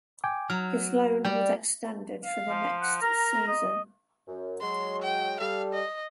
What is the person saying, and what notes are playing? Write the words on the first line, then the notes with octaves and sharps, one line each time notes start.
His loan was extended for the next season.
G5 G#5 D6
F#3 F6
G3 D5 G5
F5
F3
F#5
A#4 A#5
D#5
F#2
F#3 G#3 C6
G5
G3 A4 F5
D#5